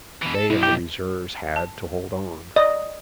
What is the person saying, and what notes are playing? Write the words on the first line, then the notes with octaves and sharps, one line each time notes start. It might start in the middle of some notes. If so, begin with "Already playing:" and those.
They of the reserves had to hold on.
B2 E3
A4
B1 E4
G4
A5
D5 D#5